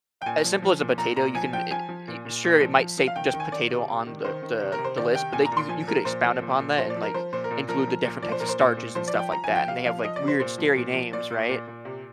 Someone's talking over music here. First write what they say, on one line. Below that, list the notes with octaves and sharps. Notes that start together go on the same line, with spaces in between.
As simple as a potato, you can it y sure, it might say just potato on the the the list, but they you you could expound upon that and, like, include the different types of starches and stuff like that, and they have, like, weird scary names, right?
G5
A#2 G#5
F3
F3
A#2
A#2 A#5
A#2 A#5
F3 G#5
F3 G5
F3 G#5
F3
A#2
A#2
A#2
F3
F3
F3
F5
D#3 G5
G5
D#3
G#5
D#3 D5
C3
C3
D#3
D#3 C5
D#3
C3
A#4
C3
C5
D#3 D5
C3 G5
A#2 G#5
A#5
A#2
C6
F3 G#5
F3 A#4
A#2 C5
F3
A#2
A#2
F3 C5
D5
F3
A#4
F3 C5
A#2 C5
A#4
A#2
F3 A#4
F3
A#2
F3 D5
C5
A#2 A#4
C5
A#2
A#2
F3 C5
D5
F3
G5
F3 A#5
G#5
F3
G5
C3 F5
F3 F5
F3 D#5
D5
C3
C5
A#2 C5
F3
A#2
F3
A#2 D5
A#2
A#2
A#2
C3